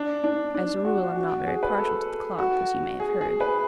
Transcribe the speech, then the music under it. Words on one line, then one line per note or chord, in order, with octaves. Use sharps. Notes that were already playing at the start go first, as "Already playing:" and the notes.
As a rule I'm not very partial to the cloth, as you may have heard.
Already playing: D4
D4
D4
F#4
F#4
G#4
B4
A4
F#4
G#4
G#4
B4